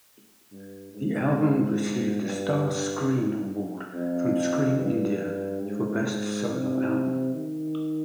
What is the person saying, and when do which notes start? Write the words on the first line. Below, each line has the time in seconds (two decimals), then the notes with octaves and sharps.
The album received a Star Screen Award from Screen India for Best Solo Album.
0.52 G2
0.94 G#2
2.22 G2
3.93 F2
4.78 G2
5.63 G#2
6.49 C3
7.34 D#3